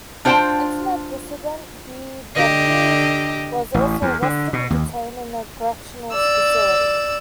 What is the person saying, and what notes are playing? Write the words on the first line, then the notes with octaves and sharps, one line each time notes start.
Internet dissident He Depu was also arrested and detained in a correctional facility.
D4 F4 C5 F#5 G5 A5
D3 G4 D#5
A1
E2
D3
B2
D#2
D5 E6